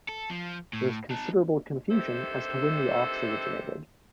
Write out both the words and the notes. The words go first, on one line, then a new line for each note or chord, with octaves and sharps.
There is considerable confusion as to when the office originated.
A4
F3
A2
D#4 A5
G2 C3 D#3 A4 C5 E5